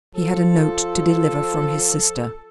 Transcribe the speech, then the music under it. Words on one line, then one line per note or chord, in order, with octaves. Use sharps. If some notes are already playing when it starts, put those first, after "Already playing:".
He had a note to deliver from his sister.
F3 A4